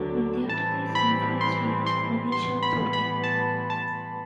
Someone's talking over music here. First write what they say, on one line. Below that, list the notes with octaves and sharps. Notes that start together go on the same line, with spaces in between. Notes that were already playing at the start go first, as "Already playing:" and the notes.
Vidyapati's influence reached Odisha through Bengal.
Already playing: D2 D3 F#3
A2 E3 G3 C4 A5
B5
C6
C6
A2 E3 G3 B3 C6
B5
B5
A5
A5